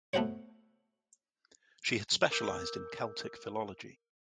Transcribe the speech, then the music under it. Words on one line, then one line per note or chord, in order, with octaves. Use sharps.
She had specialised in Celtic Philology.
A3 B3 F#4 C5 C#5
A#4 D6 E6 G6